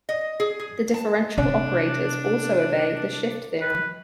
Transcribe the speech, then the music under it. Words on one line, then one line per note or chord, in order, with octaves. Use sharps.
The differential operators also obey the shift theorem.
D#5
G#4
G#4
A5
C3 D4
B4